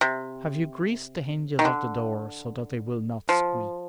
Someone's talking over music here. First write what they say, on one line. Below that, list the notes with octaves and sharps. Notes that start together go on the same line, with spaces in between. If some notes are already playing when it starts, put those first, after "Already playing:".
"Have you greased the hinges of the door so that they will not squeak?"
C3
D#3
D3
F3